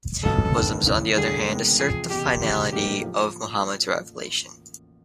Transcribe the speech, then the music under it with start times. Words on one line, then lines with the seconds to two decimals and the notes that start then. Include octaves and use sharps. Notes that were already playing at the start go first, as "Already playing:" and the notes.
Muslims, on the other hand, assert the finality of Muhammad's revelation.
0.23 C#2 C#3 F#3 B3 A4
0.55 G#1 G2 D#3 G3 B3
0.86 F1 D#2 C#3 E3
1.17 E1 D2 D3 G3 G#4
1.48 C3 D#3 G#3 B3
1.79 E2 C3 F3 G#4
2.10 F#1 E2 B2 G4
2.41 E1 D#2 C#3 E3 G4
2.72 A1 A2 F#3 A#3 D#4 G4
3.03 F3